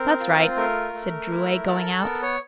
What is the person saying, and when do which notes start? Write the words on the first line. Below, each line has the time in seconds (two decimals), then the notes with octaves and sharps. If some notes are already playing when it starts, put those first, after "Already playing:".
"That's right," said Drouet, going out.
Already playing: C4 A#4
0.20 F4
0.56 A3 A#4
0.93 A3
1.30 E4
1.67 A4
2.03 B3 A#4
2.22 C#5